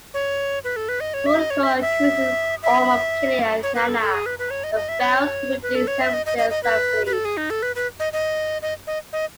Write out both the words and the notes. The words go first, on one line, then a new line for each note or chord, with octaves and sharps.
Vulko accuses Orm of killing Atlanna, but fails to produce evidence and flees.
C#5
B4
A4
B4
D#5
C#5
E5
D#5
C#5
E5
E5
E5
C#5
B4
A4
A4
G#4
B4
B4
C#5
D#5
D#5
E5
C#5
B4
A4
C#5
E5
D#5
D#5
D#5
D#5
B4
B4
A4
G#4
D#4
A4
B4
B4
D#5
D#5
D#5
D#5
D#5